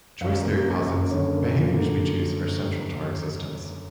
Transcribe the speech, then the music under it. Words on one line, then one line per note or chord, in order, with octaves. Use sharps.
Choice theory posits behaviours we choose are central to our existence.
F#2 F5
A#3
F#2
F#2
D3 C#5
A#3
A#3
D3